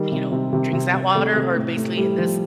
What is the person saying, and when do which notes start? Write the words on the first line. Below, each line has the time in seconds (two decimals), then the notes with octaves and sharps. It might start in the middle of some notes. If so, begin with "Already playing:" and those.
you know, drinks that water or, basically, in this
Already playing: D#3 G3
0.12 C3
0.32 C3
0.53 C3
0.73 C3
0.94 C3
1.15 C3 A3
1.35 C3
1.56 A2
1.77 A2
1.97 A2 G3
2.18 F3